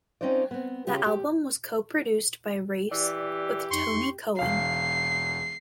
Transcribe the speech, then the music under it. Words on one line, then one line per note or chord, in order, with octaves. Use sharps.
The album was co-produced by Race with Tony Cohen.
C4 C#4 D#4 F4 C5 D5
B3 C4
C#3 C#4 F4 G4 G#4
G4
E3 G4 D5
F2 D#4 C6 C#6
E1 F5 C7